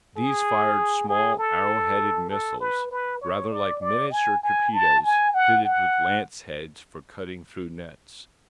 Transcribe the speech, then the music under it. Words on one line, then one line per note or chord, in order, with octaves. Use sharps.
These fired small arrow-headed missiles, rather like miniature torpedoes fitted with lance-heads for cutting through nets.
G#4
G#4
A4
A4
B4
B4
C#5
D5
D5
G#5
G#5
A5
G#5
F#5
F#5